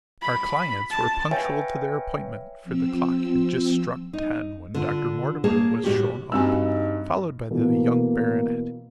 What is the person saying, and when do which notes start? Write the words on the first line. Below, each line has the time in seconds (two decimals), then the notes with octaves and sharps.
Our clients were punctual to their appointment, for the clock had just struck ten when Dr. Mortimer was shown up, followed by the young baronet.
0.22 B5
0.91 A5
1.31 B4 C#5 E5 F5 G5 G#5
2.64 F3 C4 E6
4.13 D#4
4.74 D3 F4
5.44 A#3 G#4 C#5 A5
5.84 A2 C#4 F#4 G4
6.32 G2 C4 D#4 F#4 G#5 E6
7.50 B2 E3 A#3 A4